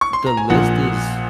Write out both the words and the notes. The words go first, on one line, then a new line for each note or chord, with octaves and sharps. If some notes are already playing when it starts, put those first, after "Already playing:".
the list is
C#6
C6
A#5
G#5
A#1 A#2 F3 A#3 F#5